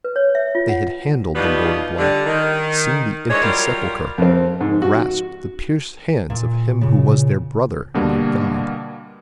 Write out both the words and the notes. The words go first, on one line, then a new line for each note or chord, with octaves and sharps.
They had handled the Lord of Life, seen the empty sepulchre, grasped the pierced hands of Him Who was their brother and their God.
B4
C#5
E5
F4
F#5
B2 F3 G3 B3 D#4 F4
D3 G3
D#3
E3 G#3 D4 C#5
F#3 G3 F4 A#4
F2 C4
G#2
F#4
A#2
C#3
B2 D3 G3 A#3 D4